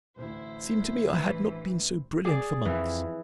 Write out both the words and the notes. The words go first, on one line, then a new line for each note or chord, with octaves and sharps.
It seemed to me I had not been so brilliant for months.
A1 D2 E4 C5
E3
G#4 D5
F2 E3